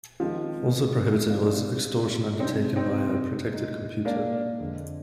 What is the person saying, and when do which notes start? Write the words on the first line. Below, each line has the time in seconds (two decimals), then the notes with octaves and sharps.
Also prohibited was extortion undertaken via a protected computer.
0.20 D#3 F3 G#3 C4
1.30 F3 C4 G4 D5 F5
2.40 C3 G3 C4 D4 D#4
2.76 C4 D#4
3.50 A#2 G#3 D#4
4.05 A#3 D4
4.60 F2 D3 G#3